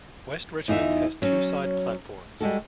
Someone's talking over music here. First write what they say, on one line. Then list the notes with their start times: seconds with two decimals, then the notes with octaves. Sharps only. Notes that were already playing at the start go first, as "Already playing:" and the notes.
West Richmond has two side platforms.
0.68 E2 D#4 F4 D#5 E5
1.22 F#3 C#4
2.41 G3 G#3 F#4 A4